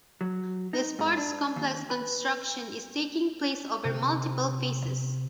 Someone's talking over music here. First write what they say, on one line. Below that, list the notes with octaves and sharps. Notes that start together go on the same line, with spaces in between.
The sports complex construction is taking place over multiple phases.
F#3
D#4
G#2
D4
D#2
B4
C3